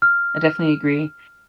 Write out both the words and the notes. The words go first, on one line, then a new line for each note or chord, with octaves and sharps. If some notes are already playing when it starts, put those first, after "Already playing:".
I definitely agree.
F6